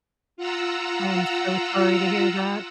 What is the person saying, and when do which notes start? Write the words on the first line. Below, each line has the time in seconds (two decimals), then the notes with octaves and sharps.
I am so sorry to hear that.
0.37 F4 F#5 A#5 E6